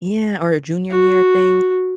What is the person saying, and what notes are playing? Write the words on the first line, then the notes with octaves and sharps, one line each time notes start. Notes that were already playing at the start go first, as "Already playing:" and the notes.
yeah, or a junior year thing.
F#4